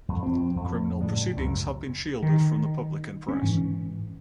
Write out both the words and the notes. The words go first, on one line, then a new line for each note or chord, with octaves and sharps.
Criminal proceedings have been shielded from the public and press.
F2
F3 C4
F2
A2 C#3 G3
C#2 F#2
D#3
C#4
G#2 E3